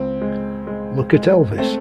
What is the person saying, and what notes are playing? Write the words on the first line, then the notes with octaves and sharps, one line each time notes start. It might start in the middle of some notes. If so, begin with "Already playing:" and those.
Look at Elvis.
Already playing: C#2 C4
G#3
G#3
G#3
A3 C4